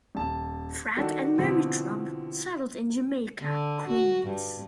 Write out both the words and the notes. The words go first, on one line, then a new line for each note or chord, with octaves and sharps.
Fred and Mary Trump settled in Jamaica, Queens.
D#1 A5
D#3 G3 D4 F#4 A4
B2 D3 E3 F3 G3 C4
D3
F#4
G2